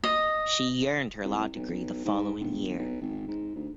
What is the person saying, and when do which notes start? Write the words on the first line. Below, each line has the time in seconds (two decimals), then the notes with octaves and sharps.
She earned her law degree the following year.
0.04 D#5
1.24 C2
1.56 B1
2.05 G#2
2.41 G1
2.78 B1
3.01 G#1
3.28 G#2
3.55 D2